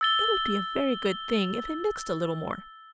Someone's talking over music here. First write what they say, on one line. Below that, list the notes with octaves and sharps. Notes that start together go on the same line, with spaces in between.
It would be a very good thing if they mixed a little more.'
E6 A6 G7